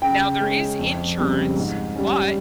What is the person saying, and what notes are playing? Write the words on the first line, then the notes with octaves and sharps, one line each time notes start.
Now, there is insurance, but
C#3 G5
G#3 C#4
F2
C#3 G3 C4
G#2
G3 C#4